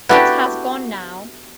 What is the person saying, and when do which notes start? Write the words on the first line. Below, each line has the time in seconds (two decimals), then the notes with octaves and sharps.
It has gone now.
0.09 B3 D4 E4 F#4 G4 A4 B4